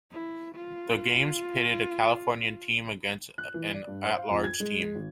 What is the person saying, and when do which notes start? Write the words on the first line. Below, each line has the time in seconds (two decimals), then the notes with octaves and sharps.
The games pitted a California team against an at-large team.
0.11 E4
0.55 F4
3.38 F#6
3.54 E3
3.74 D5
3.87 G2
4.04 C5
4.18 F5
4.30 F2
4.44 G#6
4.60 G#3
4.80 G#3
4.95 G#1